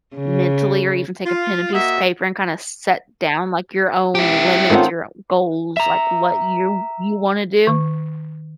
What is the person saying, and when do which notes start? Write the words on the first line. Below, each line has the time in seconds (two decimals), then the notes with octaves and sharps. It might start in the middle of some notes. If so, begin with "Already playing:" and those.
m mentally or even take a pen, and piece of paper, and kinda set down, like, your own limits, your goals, like, what you you wanna do.
0.16 C#3
1.25 F4
1.72 A#3 F#4 D#5 E5
4.15 E4 G4
4.70 D#3 A3 C4 C#4 F4 F#5
5.77 E5 A#5
7.67 D#3